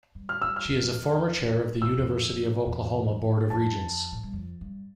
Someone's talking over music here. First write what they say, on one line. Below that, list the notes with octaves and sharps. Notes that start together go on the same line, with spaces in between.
She is a former chair of the University of Oklahoma Board of Regents.
G2
F6
G2 E6
F6
E2
F2
E2
F2 E6
E2
F2
E2
F2 A5
A2
G2
F2
G2